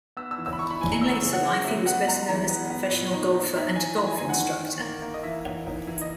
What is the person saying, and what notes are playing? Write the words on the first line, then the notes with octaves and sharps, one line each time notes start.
In later life, he was best known as a professional golfer and golf instructor.
B3 E6
E6
E3
E6
B5
E3 C#6
B5
E3 G#5
A#5
C#3 E6
E6
C#3
F#5
C#3
F#3 E5
B3 F#5
G#3 A#5
E3 A#5
B3
B3
A#2
D#4
D#4
D#4 E5
E3 G#5
E3 A#5
G#5
E3 G#5
F#5
D#3
D#3
A#3
A#3
D#5
E3 E5
E3
D#4
E3
D#5